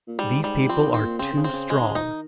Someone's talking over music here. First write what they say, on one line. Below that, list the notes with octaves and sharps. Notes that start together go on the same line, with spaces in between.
These people are too strong.
A#2
G#2 G3
G3
F3 C4
D#3
C4
A#2
C#3 C4
D#3
C#3
C4
C#3
C3 G#3
D#3
C#3
F3 D#4
D#3